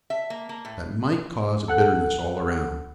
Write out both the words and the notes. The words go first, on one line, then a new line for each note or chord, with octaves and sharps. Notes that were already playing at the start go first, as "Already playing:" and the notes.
That might cause a bitterness all around.
E5
A#3
A#3
A2
A4 F#5 F#6